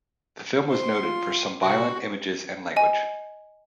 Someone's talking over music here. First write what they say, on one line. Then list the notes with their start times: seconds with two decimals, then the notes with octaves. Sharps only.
The film was noted for "some violent images and language".
0.70 C5 C6
1.03 F4
1.62 C3 F#4
2.76 D#5 G#5